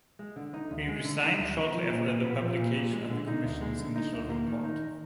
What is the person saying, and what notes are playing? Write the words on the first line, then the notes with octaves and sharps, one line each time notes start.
He resigned shortly after the publication of the Commission's initial report.
G#3
D3
D#4
D2
G#3
D3
D#4
D2
B3
F3
A#2
A#2
B3
F3
A#2
A#2
G#3
D3
D#4
D2
G#3
D3
D#4
D2
A#3
D#3
D#4